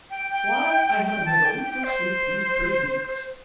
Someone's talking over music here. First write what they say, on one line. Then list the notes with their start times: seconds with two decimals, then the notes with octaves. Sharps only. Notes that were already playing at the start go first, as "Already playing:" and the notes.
Why, I haven't had a wink of sleep these three weeks!'
0.10 G5
0.31 G5
1.07 G5
1.26 A5
1.45 G5
1.64 G5
1.84 C5